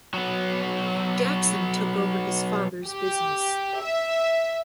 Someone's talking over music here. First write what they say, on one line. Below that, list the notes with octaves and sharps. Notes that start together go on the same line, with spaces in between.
Jackson took over his father's business.
F#3 B3
G4
E5